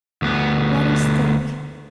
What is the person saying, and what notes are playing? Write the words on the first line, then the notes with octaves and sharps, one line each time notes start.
Let us think.
D2 B3